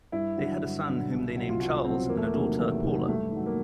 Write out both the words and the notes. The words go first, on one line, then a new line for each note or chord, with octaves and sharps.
They had a son whom they named Charles, and a daughter, Paulla.
G2 E4
D3 F#3
G2
D3 F#3
C2
B2 F#3
F4
C2 F#4
B2 F#3 C4
E2 A#3
A3
A#3
C3 D#3 F#3
E2 A3
C3 D#3 F#3
G2 A3
D#3 F#3
A#3